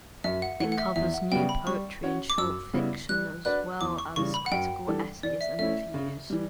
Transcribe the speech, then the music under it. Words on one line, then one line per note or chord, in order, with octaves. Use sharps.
It covers new poetry and short fiction, as well as critical essays and reviews.
F#2 E5
F#5
E3 A3 F#5
F#5
E5
E2 E5
F#5
C#3 G3 B3 G5
B5
G3 C#6
C#4 F#4 C#5
D6
F#2 E6
C#3 G3 B3 E4
G3 F#6
D4 F#4 B4 D5 F#6
E2 D6
C#6
C#3 E3 G3 C#6
B5
F#5
F#2 G5
E3 G3 D4 A4
E3 D5
E5
A3 C#4 E4 E5
C#3
E3 G3